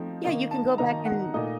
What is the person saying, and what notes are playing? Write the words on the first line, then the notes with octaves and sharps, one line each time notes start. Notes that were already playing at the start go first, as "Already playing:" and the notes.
Yeah, you can go back and
Already playing: F3 A3 C4 D#4
D#3 A#3 D#4
A5
D#3 A#3 D#4 A#5
F#5
A#2 A3 D#4 D#5